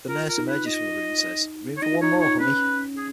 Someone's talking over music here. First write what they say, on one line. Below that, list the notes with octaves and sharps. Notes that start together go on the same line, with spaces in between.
The nurse emerges from the room and says, Room for one more, honey.
F4 A#4
A#4
D#4
B4
D#5
C#5
D#4 D#5
F4
D#4 C#5
C#5
C#4 B4
G#4